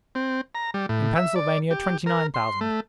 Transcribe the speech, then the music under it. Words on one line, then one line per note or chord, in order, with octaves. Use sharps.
In Pennsylvania, twenty-nine thousand.
C4
A#5
G3
A2
E5
D5
G4
A#4
C6
A3